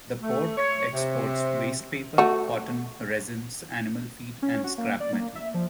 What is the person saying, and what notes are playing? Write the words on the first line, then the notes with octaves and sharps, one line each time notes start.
The Port exports wastepaper, cotton, resins, animal feed, and scrap metal.
A3
C#5
C3
A3 F#4
C#4
F#4
A#3
D5
A#3
E5
F3